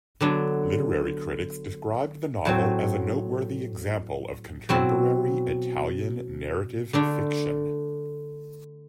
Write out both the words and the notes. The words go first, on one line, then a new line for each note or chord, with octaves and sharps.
Literary critics described the novel as a noteworthy example of contemporary Italian narrative fiction.
D3 F#3 B3 D4
A2 F#3 C4
B2 F#3 C4 E4
D3 A3 D4